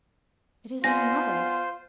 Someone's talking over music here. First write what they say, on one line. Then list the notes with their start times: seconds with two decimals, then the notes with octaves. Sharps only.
"It is your mother!"
0.84 B3 F4 C5 D5 G#5 C6 A#6